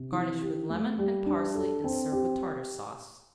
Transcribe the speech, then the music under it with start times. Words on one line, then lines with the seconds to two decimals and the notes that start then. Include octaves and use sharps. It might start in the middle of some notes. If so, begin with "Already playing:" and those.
Garnish with lemon and parsley and serve with Tartar Sauce.
Already playing: C3
0.12 E3
0.41 G4
0.70 A3
0.98 G3
1.26 D4
1.55 A4
1.84 C4
2.12 G4